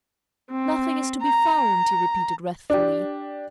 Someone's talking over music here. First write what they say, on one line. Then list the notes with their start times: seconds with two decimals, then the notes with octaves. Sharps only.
"Nothing is to be found!" he repeated wrathfully.
0.50 C4
1.23 A#5
2.70 D4 G4